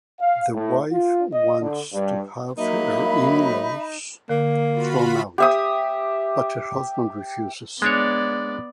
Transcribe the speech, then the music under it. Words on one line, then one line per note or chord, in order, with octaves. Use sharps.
The Wife wants to have her in-laws thrown out, but her husband refuses.
F5
A2
F4
D#5
D3
G2
F#3 A#3 D#4 E5 B5
D3 A#3
F4 F#4 B5
G4 E5 D#6
G#3 B3 D4 C#5 D5